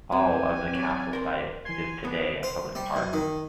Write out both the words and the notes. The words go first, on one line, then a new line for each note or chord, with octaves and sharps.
All of the castle site is today a public park.
F2 C4 G4 G#5
F#3 D5
A#4 C5
E3 G#5 C6 G#6
B3 D4 D#6
C5
G3
F#2
D#3